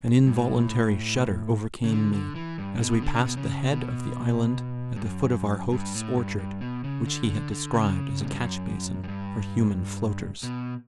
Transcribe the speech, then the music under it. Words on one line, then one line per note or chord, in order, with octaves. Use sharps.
An involuntary shudder overcame me, as we passed the head of the island at the foot of our host's orchard, which he had described as a catch-basin for human floaters.
G2
A2
C#3
D3
D3
E3
G2
B2
D3
C#3
B2
C#3
B2
G2
F#2
G2
A2
G2
G2
B2
C#3
D3
D3
D3
C#3
A2
G2
F#2
F#2
G2
B2